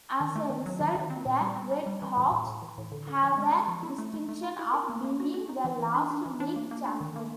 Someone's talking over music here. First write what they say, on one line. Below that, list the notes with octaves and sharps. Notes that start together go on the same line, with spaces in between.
As a result, the RedHawks have the distinction of being the last league champion.
D#3
A3
D#3
F#3
D#3
D#3
C4
A#2
G3
C4
G3
G3
E3
A2
A2
A2
E3
A2
D3
D3
F3
G#3
G#3
F3
E4
A3
A3
A3
E4
E4
A#4
A#3
A#3
F#4
F#4
D#4
E3
E3
D4
D4
E3
D4
A#3
A#3
D4
D#3
A#3